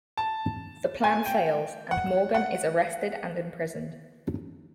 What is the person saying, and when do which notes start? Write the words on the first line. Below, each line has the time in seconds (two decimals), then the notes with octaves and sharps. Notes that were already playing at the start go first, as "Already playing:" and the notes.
The plan fails, and Morgan is arrested and imprisoned.
0.17 A5
1.04 G#5
1.26 G5
1.91 F#5
2.34 F#5